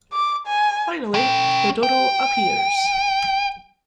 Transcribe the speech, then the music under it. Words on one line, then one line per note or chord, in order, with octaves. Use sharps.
Finally, the Dodo appears.
D6
G#5
C#4 G5
G5